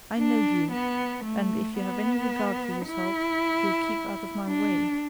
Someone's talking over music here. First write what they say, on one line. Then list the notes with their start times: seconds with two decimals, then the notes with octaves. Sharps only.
'I know you, and if you have any regard for yourself, you'll keep out of my way.'
0.18 D4
0.72 B3
1.25 A3
1.79 B3
2.86 E4
4.48 D4